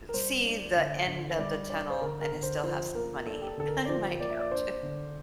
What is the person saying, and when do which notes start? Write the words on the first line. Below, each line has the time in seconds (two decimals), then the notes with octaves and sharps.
see the end of the tunnel, and it still has money on my account.
0.09 A#4
0.14 G3 C5
0.45 D4
0.76 D3
1.08 D3
1.38 G3 D5
1.70 D4 D5
1.90 C5
2.01 D3 A#4
2.22 A#4
2.33 D3
2.43 C5
2.63 F3 C5
2.95 A#3 A#4
3.26 D4 A4
3.41 G4
3.47 A4
3.57 D3 A4
3.68 A#4
3.85 D5
3.89 F3 C5
4.20 A#3 D5
4.30 E5
4.40 D5
4.51 D4 C5
4.83 D3